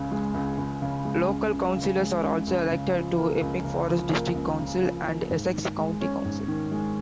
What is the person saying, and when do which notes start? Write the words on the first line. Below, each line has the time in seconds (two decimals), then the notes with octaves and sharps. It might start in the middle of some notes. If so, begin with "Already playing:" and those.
Local councillors are also elected to Epping Forest District Council and Essex County Council.
Already playing: C#2 C#3
0.12 G#3
0.34 C#2
0.58 C#2
0.82 C#3
1.05 G#3
1.28 C#2
1.53 C#2
1.76 C#3
2.00 G#3
2.23 C#2
2.47 C#2
2.71 C#3
2.94 F3
3.18 A#3
3.41 C#2
3.64 C#3
3.89 F3
4.12 A#3
4.35 C#2
4.59 C#3
4.83 F3
5.06 A#3
5.30 G#2
5.53 D#3
5.78 G#3
6.01 C#4
6.25 G#2
6.48 D#3
6.71 G#3